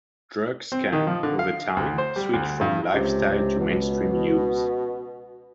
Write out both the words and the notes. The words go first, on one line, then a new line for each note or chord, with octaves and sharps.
Drugs can, over time, switch from 'lifestyle' to 'mainstream' use.
C4
D#3
F3
D3
F5
D2
C5
G3
D2
G2
C#2 C3
B2